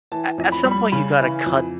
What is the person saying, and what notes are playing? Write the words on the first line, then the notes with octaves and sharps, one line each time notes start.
a at some point, you gotta cut
E3 A5
F2
B5
G3
B5
C#3 B5
E3
F2